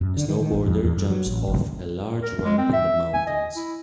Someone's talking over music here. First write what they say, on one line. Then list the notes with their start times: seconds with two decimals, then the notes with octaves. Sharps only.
A snowboarder jumps off a large ramp in the mountains.
0.01 F#2
0.17 D3
0.29 D#3
0.41 D#3
0.54 A1
0.68 F2
0.83 E2
0.97 F#2
1.10 F#3
1.26 A1
1.47 G1
2.23 A#4
2.44 G#3
2.58 C4
2.73 E5
3.14 G#5
3.27 D#5
3.56 E4